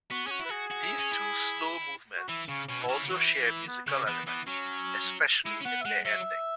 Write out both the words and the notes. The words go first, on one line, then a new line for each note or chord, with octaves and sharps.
These two slow movements also share musical elements, especially in their ending.
B3 F#4
C#4 F#4 G#4
E4
B4
F#4 G#4
F#4
E4
C#4
E4
F#4
E3 E4
C#3 C#4
B2 C#4
E4
E3 C#4
C#3
E3 F#4
E4
B3
C#3 C#4
E3 B3
E3 B3
F#3 C#4
G#3 E4
C#4
B3 F#5
E5
G#3 F#5
F#3 E5